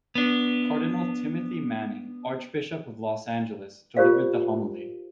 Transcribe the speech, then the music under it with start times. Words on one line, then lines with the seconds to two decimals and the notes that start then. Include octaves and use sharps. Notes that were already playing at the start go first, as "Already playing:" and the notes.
Cardinal Timothy Manning, Archbishop of Los Angeles delivered the homily.
0.15 B3 D4
3.97 F4 G4 A#4 C5 D5 F5